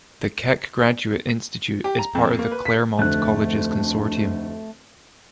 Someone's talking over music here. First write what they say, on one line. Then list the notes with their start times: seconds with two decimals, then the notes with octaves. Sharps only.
The Keck Graduate Institute is part of the Claremont Colleges consortium.
1.84 G4
1.99 A#5
2.15 F2
2.39 A#3
2.51 B4
2.65 B6
2.99 F1 D2 A3 A4 F#6